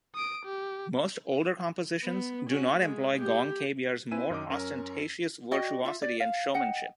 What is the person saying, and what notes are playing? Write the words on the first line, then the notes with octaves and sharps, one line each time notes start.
Most older compositions do not employ gong kebyar's more ostentatious virtuosity and showmanship.
D#6 D7
G4
B3
C#4 F#4
G#3
G4
C4 E4 B4 G#5 E6 D#7
F#2 D#3 D#5 D6
F#2 C#4 A#4
F#4 D5 D#5 G5
F4 E5
D5
F5
D#5 F#5 G5